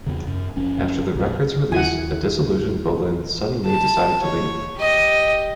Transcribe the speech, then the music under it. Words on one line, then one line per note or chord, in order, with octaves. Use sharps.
After the record's release, a disillusioned Bolin suddenly decided to leave.
E2 C#3
F#2
F#1 F3 C#4
B1 F#2 F#3
D#2 E4 F#5 G#5
A5
C#5
G4 D#5